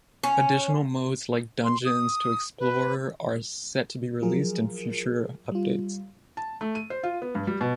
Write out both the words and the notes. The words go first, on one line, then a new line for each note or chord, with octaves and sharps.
Additional modes like dungeons to explore are set to be released in future updates.
C#4
C6
D#6
B4
F3 F#3 F4 G#4 A#4
G3 F4
A5
A3
D#7
C5
F4
B3
G2
G3
B2